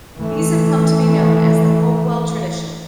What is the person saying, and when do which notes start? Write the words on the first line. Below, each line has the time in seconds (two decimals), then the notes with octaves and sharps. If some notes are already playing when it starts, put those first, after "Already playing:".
These have come to be known as the Hopewell tradition.
0.19 E3 A3